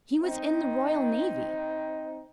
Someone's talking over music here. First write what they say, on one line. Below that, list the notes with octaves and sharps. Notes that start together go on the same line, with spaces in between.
"He was in the Royal Navy!"
C4 D#4